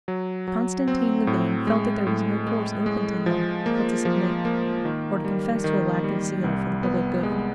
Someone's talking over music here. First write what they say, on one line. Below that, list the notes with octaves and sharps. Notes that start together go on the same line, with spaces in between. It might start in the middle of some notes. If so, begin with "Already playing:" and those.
Konstantin Levin felt that there was no course open to him but to submit, or to confess to a lack of zeal for the public good.
F#3
F#3
C4
A2
G#3
A2
G#3
G#3
F3
A#3
F3
A#3
D#3
G3
D#3
G3
C2
B3
G#3